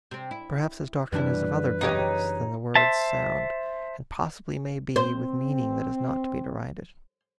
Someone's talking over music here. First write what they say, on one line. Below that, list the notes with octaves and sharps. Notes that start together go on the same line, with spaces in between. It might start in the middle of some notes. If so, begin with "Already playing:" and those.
Perhaps his doctrine is of other guise Than the words sound, and possibly may be With meaning that is not to be derided.
C3 C4
E4
F#2 E3 G3 D4 E4 B4
C#3 D#4 G4 C#5
C5 E5 A5
C4 C5